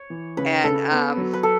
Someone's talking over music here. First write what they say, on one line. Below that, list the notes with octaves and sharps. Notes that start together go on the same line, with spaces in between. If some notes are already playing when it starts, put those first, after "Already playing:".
and um
Already playing: C#5
E3
C#3 B4
C#3 A4
B3
F#3
B4
A4